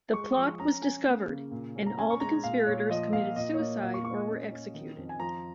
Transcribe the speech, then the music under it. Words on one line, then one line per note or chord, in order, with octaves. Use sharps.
The plot was discovered, and all the conspirators committed suicide or were executed.
G#3 C#6
D#6
F3 C#6
C#4 A#5
C#4 G#5
A#3
C#3
A#2
C#4
A#5
C#4 G#5
C#6
G#3 A#5
A#2 F5
A#2 C#5
F3 D#5
A#2 F5
A#2 D#5
C#5
A#3 D#5
A#2 F5
C#6
A#2 C#6
D#5
C#4
C#4
D#3
F2
G#5
F3 A#5